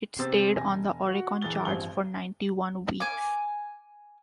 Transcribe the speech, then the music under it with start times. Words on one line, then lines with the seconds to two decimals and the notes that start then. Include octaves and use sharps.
It stayed on the Oricon Charts for ninety-one weeks.
0.19 C3 C4 C5 E6 A6
0.55 E1 G#5 A#6
1.08 F#4
1.42 D#1 E3 G#4 A6 G7
1.65 A1 G2 F3 C4 G7
3.00 G#5 D6